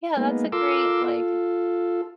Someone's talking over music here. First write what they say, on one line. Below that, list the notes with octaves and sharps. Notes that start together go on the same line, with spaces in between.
yeah, that's a great, like
G#3 A#3 B3 D#4
F4 A4 A#4 C6 D6 E6
F4 A4